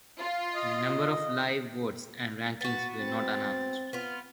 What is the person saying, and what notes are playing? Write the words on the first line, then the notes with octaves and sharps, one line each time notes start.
The number of live votes and rankings were not announced.
F4
D#5
B3 F#4 A6
C4 A6
B3 F4